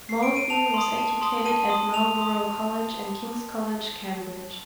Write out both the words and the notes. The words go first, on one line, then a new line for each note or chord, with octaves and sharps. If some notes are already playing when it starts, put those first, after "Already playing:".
Moulton was educated at Marlborough College and King's College, Cambridge.
C7
D7
D#7
A5 F7
C6 D#6
A5
C6 D#6
A5 D#7
C6 D#6
A5 F7
C6 D#6